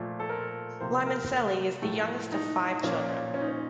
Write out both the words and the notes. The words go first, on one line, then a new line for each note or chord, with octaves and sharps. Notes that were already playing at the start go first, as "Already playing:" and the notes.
Limoncelli is the youngest of five children.
Already playing: A#2 F3 A3
A4
A#4
C3 F3 A#3 C5
A#4
A2 F3 A3
D#4
A#2 F3 A#3 C#4
C#4
D#4
C#4